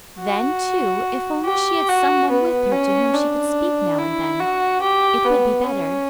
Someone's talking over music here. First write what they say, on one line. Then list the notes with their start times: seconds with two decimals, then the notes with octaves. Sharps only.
Then, too, if only she had some one with her to whom she could speak now and then, it would be better.
0.20 F#4
1.46 G4
1.89 F#4
2.30 B3
2.72 C#4
3.15 D4
3.98 E4
4.41 F#4
4.82 G4
5.25 B3
5.67 C#4